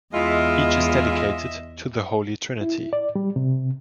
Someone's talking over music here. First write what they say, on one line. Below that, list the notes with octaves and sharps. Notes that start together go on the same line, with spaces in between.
Each is dedicated to the Holy Trinity.
E2 G#3 E4 F4 D#5 E5
E4
D5
G3
C3